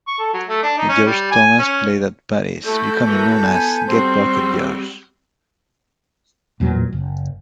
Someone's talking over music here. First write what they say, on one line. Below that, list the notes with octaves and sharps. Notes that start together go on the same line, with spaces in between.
George Thomas played at parties, becoming known as "Gut Bucket George".
C#6
A4
F#3
A3
D4
D#4
C#4
G3
G#5
C#4
A3 E4 F#4 A4 G6
E3 A#3 F#4
B3 G#5
G3 C4 F#4 C5
G#4 D6 E6
A1 E2 A#2 F#3
F#1